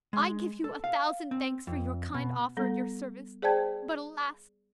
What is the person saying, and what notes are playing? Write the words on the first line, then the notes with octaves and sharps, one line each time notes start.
I give you a thousand thanks for your kind offer of your service; but, alas!
G#3
A4
F5
C4
F2
B2
G3 B3 A4
G#4 C5 D5 G5 A5 G#6